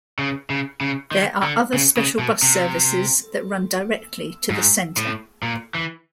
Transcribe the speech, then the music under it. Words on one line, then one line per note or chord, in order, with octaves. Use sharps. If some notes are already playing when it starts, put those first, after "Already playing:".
There are other special bus services that run directly to the Centre.
C#3
C#3
C#3
D#3
D3
C#3
C#3
B2
C3
G#2
A2
A#2
E3